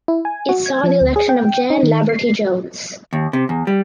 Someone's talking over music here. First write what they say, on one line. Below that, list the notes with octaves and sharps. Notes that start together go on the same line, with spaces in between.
It saw the election of Jan Laverty Jones.
E4
G#5
F#4
G#6
F3
D2
G#4
G5
D#4
D#3
C7
D#2
C3
E2
G3